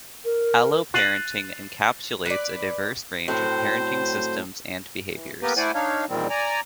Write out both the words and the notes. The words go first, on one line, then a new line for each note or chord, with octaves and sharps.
Alloparenting encapsulates a diverse range of parenting systems and behaviours.
A#4
F#6 A6 C7 D#7 F7 F#7
B4 D5
A2 F#3 C4 C5
E3
A#3 B3 G4 A#4 B4
A3 E4 C5 D5 F#5 G#5
D4 D#4 C#5 F5
E2 A#2 D#3 G3 C4
D5 G#5 A#5